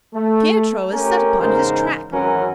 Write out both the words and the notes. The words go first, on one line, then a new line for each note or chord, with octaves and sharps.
Pietro is set upon his track.
A3
A3 C#4 G4 A#4
E2 G#2 C#3 D#4 A#4 C5
G#1 F#2 E3 C#4 F#4 A#4